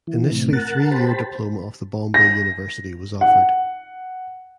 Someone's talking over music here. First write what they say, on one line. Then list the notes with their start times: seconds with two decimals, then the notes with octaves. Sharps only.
Initially three year diploma of the Bombay University was offered.
0.07 E3
0.31 A2 C3
0.53 A#4 F#5 A5
0.91 G4 C5 A5 B5
2.14 A#6
3.21 F#5